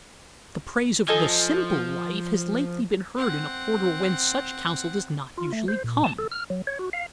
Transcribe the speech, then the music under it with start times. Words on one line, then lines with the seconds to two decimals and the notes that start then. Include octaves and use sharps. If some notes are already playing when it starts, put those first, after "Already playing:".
The praise of "the simple life" has lately been heard in a quarter whence such counsel does not usually come.
1.08 F3 A4 D#5 G#5
3.16 C4 F#5
5.38 F4
5.53 A3
5.68 C5
5.84 A#2
6.04 A5
6.19 A4
6.32 F6
6.50 F#3
6.67 C#5
6.79 F#4
6.93 F5